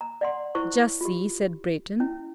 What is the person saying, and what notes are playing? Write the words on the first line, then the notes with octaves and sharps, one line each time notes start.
"Just see," said Breton.
A#5
D5 F#5 C6
E4 C5 C#6
F4 G4
C#4 E4